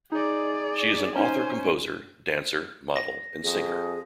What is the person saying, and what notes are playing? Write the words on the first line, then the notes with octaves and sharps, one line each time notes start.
She is an author-composer, dancer, model and singer.
D#4 G#4 D5
C#4 D#4 C5 G#5
A#6
F2 G#4